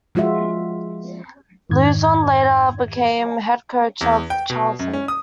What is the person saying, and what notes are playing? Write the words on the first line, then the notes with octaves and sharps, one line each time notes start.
Luzon later became head coach of Charlton.
F3 G#3 F4 F#4 E5
F2 G#2 D#3 G#6
E2
G5
B2
F#2
C#4
D#6